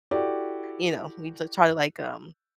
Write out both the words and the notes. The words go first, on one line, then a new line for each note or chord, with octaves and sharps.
you know, we just try to, like, um,
E4 F#4 G4 A4 D5